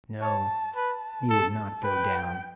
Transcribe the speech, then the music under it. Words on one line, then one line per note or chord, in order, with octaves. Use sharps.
No, he would not go down.
C#5 A5
B4 A5
A4
B4 G5